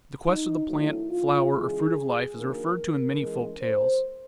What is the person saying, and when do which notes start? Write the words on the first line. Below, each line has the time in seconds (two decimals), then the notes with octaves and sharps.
The quest of the plant, flower, or fruit of life is referred to in many folk tales.
0.26 D#4
0.68 D#3 F#3 A3 D4 E4
1.10 F4
1.52 C#3 E3 G#3 G#4
2.35 D#3 F#3 A#3 D4 A#4
3.19 E3 G#3 C#4
3.61 C5